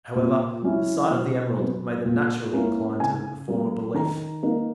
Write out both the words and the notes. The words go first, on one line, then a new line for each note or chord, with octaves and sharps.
However, the sight of the emerald made them naturally incline to the former belief.
A#2
F#3 C#4 E4
B2
F#3 B3
A#2
A#3 C#4 E4
C#3 G#5
F#3 A#3
D#3 A#5
A#3 D#4